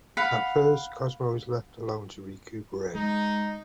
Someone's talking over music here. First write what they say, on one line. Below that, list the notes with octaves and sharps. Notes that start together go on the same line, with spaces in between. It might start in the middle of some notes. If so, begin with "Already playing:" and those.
At first, Cosmo is left alone to recuperate.
F5 F#5 B5
G#3 D#4